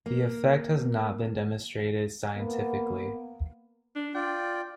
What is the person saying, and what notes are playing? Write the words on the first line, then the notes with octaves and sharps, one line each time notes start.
The effect has not been demonstrated scientifically.
A#3
A#3 B3
D4
F4 D5 G5